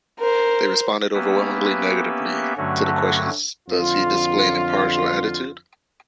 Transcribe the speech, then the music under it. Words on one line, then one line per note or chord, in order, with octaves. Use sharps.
They responded overwhelmingly negatively to the questions Does he display an impartial attitude?
A#4 C5
A#3 B3 C#4 G4 B4 E5
G2 D3 F#3 A3 C#4 F#4
F2 D3 F4